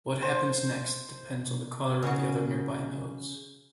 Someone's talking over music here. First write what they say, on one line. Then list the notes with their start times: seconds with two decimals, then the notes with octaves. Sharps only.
What happens next depends on the color of other nearby nodes.
0.22 C5
2.03 C#3 F#4